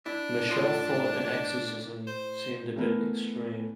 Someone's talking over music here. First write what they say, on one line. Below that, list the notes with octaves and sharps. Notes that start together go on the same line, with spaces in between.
Michelle thought an exorcism seemed a bit extreme.
D4 E4
A2 F4 C6
C5
E3 A3 B3 A#4 B4